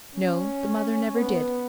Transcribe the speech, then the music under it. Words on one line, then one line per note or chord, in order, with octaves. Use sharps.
No, the mother never did.
C#4
B3